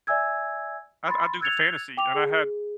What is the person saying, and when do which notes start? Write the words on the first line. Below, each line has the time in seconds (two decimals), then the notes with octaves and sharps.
I d I do the fantasy, and I had
0.07 D5 E5 G#5 E6 G#6
1.08 B5 C6 A6
1.41 E6 F#6 G#6 A6 C#7 F7
1.97 G5 D6 F7
2.14 G#4